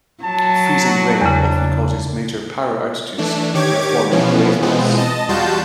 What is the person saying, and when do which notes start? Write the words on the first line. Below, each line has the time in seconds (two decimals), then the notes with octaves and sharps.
Freezing rain often causes major power outages by forming glaze ice.
0.24 F#3 A5
1.21 E2 C#3 D4
3.18 E3 A3 D4
3.54 D#3 G4 C#5 D6 G#6
4.11 B2 E3 F3 B3 C#4
4.62 B2 E3 F3 G#3 B3 C4
4.98 D#5 A5
5.29 E2 G3 F4 F#4 A5 G6